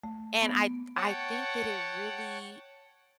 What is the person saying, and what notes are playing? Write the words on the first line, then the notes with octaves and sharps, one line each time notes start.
And I I think that it really
A3
B3
C#5 F#5 G5 A5